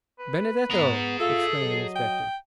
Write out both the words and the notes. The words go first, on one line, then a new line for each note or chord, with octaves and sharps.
"Benedetto!" exclaimed an inspector.
B4
B3 G#4 A#5
F4 A4 E5
F#3 D#5
G5